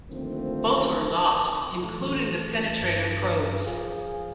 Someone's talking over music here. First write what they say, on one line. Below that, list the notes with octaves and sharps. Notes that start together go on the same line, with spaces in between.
Both were lost, including the penetrator probes.
D3 D#3 F3 A3 A#3 C4
A1
G2
F3 G#4